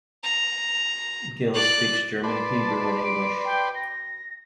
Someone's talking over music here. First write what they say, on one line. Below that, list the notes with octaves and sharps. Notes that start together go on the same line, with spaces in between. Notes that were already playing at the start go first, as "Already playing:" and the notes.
Gil speaks German, Hebrew, and English.
A#5
D5 F#6
B4 D5 A5 C6
D7
G5
A#6